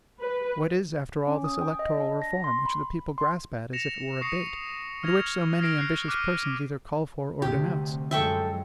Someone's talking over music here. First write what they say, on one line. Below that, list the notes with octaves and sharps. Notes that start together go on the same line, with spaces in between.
What is, after all, this electoral reform which the people grasp at, as if it were a bait, and which so many ambitious persons either call for or denounce?
B4
C#4
D#6
G5
D#5
D4
A#6
C6
B5
C6
A#6 C#7 E7 F7
C#6 D#6 A#6 C7 C#7 E7
F6 G#6 A#6 F7
F6 G#6 A#6 C7 D7
F#6 A#6 C7
D6 F6 F#6 B6 D#7
D2 C3 G4
F#2 F3 G#3 A4 E5 G5 C#6